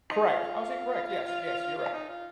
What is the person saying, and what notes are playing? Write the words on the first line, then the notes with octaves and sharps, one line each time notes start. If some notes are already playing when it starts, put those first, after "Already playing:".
Correct. I would say correct. Yes. Yes. You're right.
D#4
F4
F4
D#4
F4